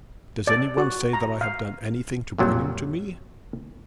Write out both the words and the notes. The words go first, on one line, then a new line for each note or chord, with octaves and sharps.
'Does any one say that I have done anything to bring him to me?
D5
F#4
A#5
F5
F2 A#2 F#3 G3